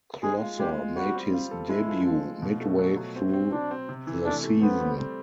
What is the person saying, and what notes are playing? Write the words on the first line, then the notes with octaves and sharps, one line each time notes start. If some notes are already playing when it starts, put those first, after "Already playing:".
Closser made his debut midway through the season.
G#3 G#4
F4
G#3 G4
F4
G3 F#4
C4
F4
A4
G#3 E4
F3
F3
F3
B2
A3
F#3
F#3
C4
C4
C4 D4
C4
C3
E3
A3 D4
A3
B3 C4
G3
C4